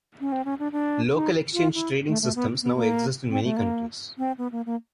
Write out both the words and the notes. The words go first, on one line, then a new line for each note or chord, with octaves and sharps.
Local exchange trading systems now exist in many countries.
C#4
C4
C#4
D4
D4
D#4
F4
E4
A3
A3
B3
B3
A#3
C4
A3
A#3
C4
B3
A#3
A#3